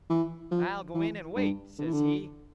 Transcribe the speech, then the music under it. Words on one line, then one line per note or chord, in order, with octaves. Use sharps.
'I'll go in and wait,' says he.
E3
F3
E3
G2
D3
E3
D3